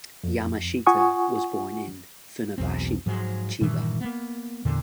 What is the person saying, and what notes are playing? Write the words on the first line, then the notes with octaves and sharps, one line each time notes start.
Yamashita was born in Funabashi, Chiba.
F2
F4 F#5 G#5 C#6 D#6
B1 E2 C4
G#2 F3 F#3 G#3
G2 A#2 D#3 E3
A#3 B3
E2 A#2 D3